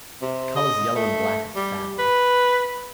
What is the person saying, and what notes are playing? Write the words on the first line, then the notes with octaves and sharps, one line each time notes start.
The colours yellow and black are foul.
C3
D#5
A3
G3
B4